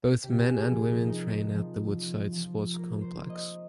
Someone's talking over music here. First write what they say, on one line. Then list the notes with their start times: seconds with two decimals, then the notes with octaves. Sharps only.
Both men and women train at the Woodside Sports Complex.
0.23 C3 G4
0.45 G#4
0.65 F3 G#4
0.87 A#4
1.06 D#4 A#4
1.49 F3
1.90 F3
2.32 F3
2.73 A#3 A#4
3.01 C5
3.16 A#3
3.29 D#5